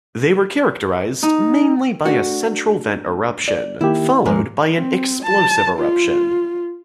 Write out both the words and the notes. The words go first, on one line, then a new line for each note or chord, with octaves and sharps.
They were characterized mainly by a central vent eruption, followed by an explosive eruption.
D#4
A3 D4 F#4
D5
D#3 A#3 E4 G4
D#2 G#2 F3 G#3 A#3
C4
A5
F4